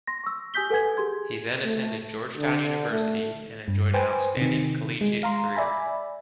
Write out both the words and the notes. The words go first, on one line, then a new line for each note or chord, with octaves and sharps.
He then attended Georgetown University and enjoyed an outstanding collegiate career.
C6 A#6
C#6 E6
G4 G#5 D#6 G6 B6 G7
A4 B4 F#5 G#5 G#6
G4 G#4 C6 G#6
A3
D3
A3
G2
B4 C5 G5 G#5
C3 D#3
G#3
F5 A#5 C6
D5 E5 G#5 B5